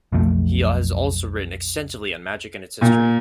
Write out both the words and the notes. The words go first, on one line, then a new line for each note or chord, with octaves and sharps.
He has also written extensively on magic and its history.
B1 F2 F3 A3
A#2